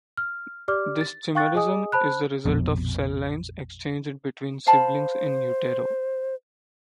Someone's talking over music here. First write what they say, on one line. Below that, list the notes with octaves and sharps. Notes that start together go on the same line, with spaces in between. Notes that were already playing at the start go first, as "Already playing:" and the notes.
This chimerism is the result of cell lines exchanged between siblings in utero.
F6
G4 D5 D6 F6
A6
F5 G5 C#6 F#6 A6
G#4 D#5 G#5 D#6
C5 A5 B5 F#6
A#1 F2 B2
C5 F5 A5 B5